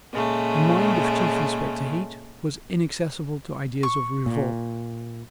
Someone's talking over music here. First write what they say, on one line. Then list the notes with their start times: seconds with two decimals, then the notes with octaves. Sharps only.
The mind of Chief Inspector Heat was inaccessible to ideas of revolt.
0.12 A#2 C#3 G#3 A3
3.83 C#6
4.26 A#2